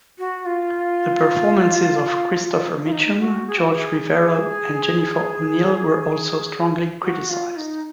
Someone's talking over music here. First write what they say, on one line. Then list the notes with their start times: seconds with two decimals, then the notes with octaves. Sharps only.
The performances of Christopher Mitchum, Jorge Rivero and Jennifer O'Neill were also strongly criticized.
0.19 F#4
0.46 F4
2.84 F4
2.92 D#4
3.15 G#4
3.19 F#4
3.47 G#4
3.59 F4
3.66 F#4
3.74 G#4
7.02 F#4
7.30 F4
7.57 D#4